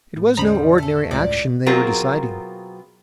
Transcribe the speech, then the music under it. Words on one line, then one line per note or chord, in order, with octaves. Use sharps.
It was no ordinary action they were deciding.
A2
E2 D3 F3 G3 C#4 A#5 B5
A3 A4
C#2 A2 D5
B2 F#3 C4 F4 G#4 A#4